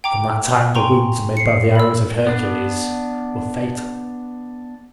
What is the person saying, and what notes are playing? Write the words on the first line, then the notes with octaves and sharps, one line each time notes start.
From that time the wounds made by the arrows of Hercules were fatal.
G5 A#5 D6
G5 G#5 A#5 C6 C#6
C7 C#7
B5 E6
B3 D4